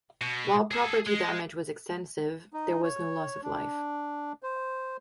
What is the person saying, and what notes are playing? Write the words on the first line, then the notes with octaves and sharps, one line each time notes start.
While property damage was extensive, there was no loss of life.
B2
G#4 A4
G#3
D#4
C#5
D4
C5